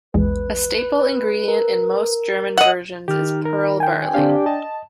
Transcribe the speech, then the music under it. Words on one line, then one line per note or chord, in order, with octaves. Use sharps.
A staple ingredient in most German versions is pearl barley.
A#1 E2 G#3 B4
A#4
D#5 F#5
D#3 G4 F6
A#4
G5 G#5
D3 C4 D4 G4 F5
D#5 A5